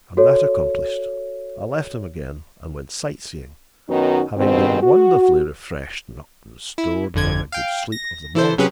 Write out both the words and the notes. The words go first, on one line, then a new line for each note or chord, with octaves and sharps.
And that accomplished, I left him again and went sight-seeing, having been wonderfully freshened up and restored by my good sleep of the morning.
F#4 A4 C#5
F#2 D#3 B3 C#4 D#4 F#4
G2 B2 D#3 G#3 C4
F#4
E4
G1 F2 D3 G#6
F5 G5
A#6
E3 E4 A4 C5
C3 F#3 C#4 G4 G#4 B4